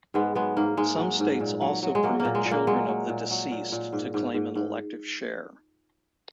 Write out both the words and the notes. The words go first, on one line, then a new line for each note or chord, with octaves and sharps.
Some states also permit children of the deceased to claim an elective share.
G#2 G#3 B3
F#3 G#3 B3
G#2 A#3
G#2 G#3
F#3
G#2
A#2
F#3
F#3
G#3
F#3 A#3
A#3
A#2
G#3
A#2
A#3
F#3 G#3
F#3
A#2
F#3
A#2
A#2
G#2
G#2
G#2
G#2